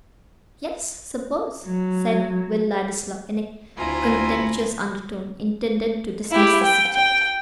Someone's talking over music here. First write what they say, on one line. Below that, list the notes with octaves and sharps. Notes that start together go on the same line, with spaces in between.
"Yes, suppose!" said Will Ladislaw, in a contemptuous undertone, intended to dismiss the subject.
F#3
D2 C4 E4 F4 G#5 A#5
E4 G4
G5
G5